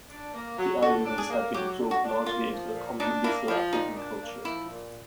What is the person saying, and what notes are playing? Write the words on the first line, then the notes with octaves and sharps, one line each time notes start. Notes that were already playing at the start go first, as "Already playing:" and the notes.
The islanders have been absorbed largely into a common Luso-African culture.
D4
A#3
F#3
D3 F#4
D4
G#4
A#3
F#3 G4
D3
F#4
D4
A#3 F4
F3
A#2
D4 D#4
A#3 E4
F3 E4
A#2 D#4
D4
A#3
F3 E4
A#2